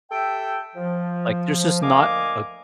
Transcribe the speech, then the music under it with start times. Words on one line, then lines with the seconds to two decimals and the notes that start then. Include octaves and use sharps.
Like there's just not a
0.11 G4 A4 E5 G5
0.76 F3
1.82 D2 A#3 D#5 F5 G#5 D6